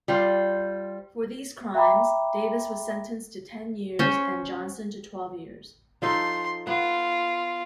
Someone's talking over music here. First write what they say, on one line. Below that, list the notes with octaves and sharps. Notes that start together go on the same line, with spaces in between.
For these crimes, Davis was sentenced to ten years and Johnson to twelve years.
G3 F4 C5
E5 G5 A#5 B5 D6
C#4 C5
F3 D#4 A4 C6
B3 F4